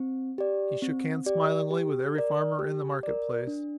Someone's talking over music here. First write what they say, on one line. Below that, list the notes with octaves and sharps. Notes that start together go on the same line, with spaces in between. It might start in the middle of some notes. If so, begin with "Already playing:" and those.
He shook hands smilingly with every farmer in the market-place.
Already playing: C4
G4 D5
C4
G4 D5
G4
A#4 D5
G4
A#4 D5
D4